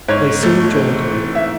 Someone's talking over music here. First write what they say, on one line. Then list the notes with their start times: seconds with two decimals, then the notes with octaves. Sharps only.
They soon joined me.
0.08 G#2 C#5
0.43 A3
0.76 C4
1.10 E3
1.35 E5